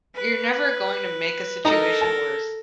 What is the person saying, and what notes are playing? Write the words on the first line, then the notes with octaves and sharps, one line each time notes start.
you're never going to make a situation worse
B4
D#4 A4 A#4 A#5
A5